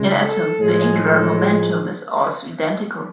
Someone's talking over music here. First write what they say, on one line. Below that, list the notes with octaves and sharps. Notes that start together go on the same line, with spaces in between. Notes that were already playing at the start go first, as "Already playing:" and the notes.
In atoms the angular momentum is also identical.
Already playing: C#2 C#3 G#3
A4
A2 F3 G#3 G#4
A4
G#4